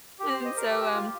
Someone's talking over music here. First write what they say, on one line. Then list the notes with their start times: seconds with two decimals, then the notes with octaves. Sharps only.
And so, um
0.20 G4
0.32 C5
0.45 D#5
0.57 A#4
0.69 G4
0.81 G4
0.93 F4